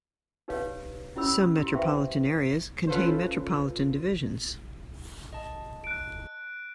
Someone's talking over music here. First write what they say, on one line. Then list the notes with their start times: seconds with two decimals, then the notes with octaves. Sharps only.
Some metropolitan areas contain metropolitan divisions.
0.48 D#4 G4 B4 C#5 F5
1.16 C#4 E4 G4 C#5 B5 E6
1.61 E4 G4 C6
1.74 B4 C5 E5 F5 G5 C#6
2.87 C#4 F4 A4 B4 C5
5.33 D#5 A5
5.84 F#6 D7